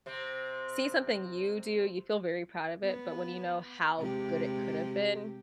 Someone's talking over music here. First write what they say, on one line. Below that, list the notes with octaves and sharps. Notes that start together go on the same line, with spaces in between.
see something you do, you feel very proud of it, but when you know how good it could've been,
C3 C4
B3
C3 G#3 G4